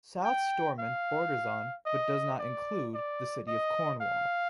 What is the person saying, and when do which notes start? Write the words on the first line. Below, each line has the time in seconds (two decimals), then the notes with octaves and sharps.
South Stormont borders on, but does not include, the city of Cornwall.
0.24 G5
0.79 F5
1.86 D#5
2.39 D5
2.94 D5
3.47 D#5
4.01 F5